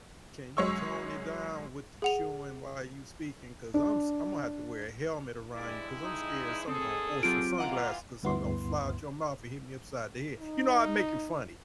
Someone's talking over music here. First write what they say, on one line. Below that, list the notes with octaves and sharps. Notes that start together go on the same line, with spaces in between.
can you tone it down with the chewing while you speaking, 'cause I'm s Imma have to wear a helmet around you 'cause I'm scared of something gon or some sunglasses 'cause something gonna fly out your mouth and hit me upside the head." You know, I'd make it funny.
F#2 G#3 C#5 C#6 E6
G#4 F#5 F7
D4
G2 G#3 E4 D5
D#4
D#2 C4 G#4 A4 D#6
F#3 C4 F4 G4 D7
E3 F4 D#5 F#5 A#5 D6
D2 G2 B3 E4 C6
D#4